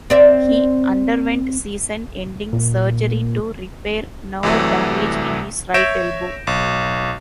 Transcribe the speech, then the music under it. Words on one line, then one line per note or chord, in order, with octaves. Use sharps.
He underwent season-ending surgery to repair nerve damage in his right elbow.
C4 D5 E5
A#2
C2 C3 E3 F#3 A3
C#5 E5 G6 A#6 D7 E7
B1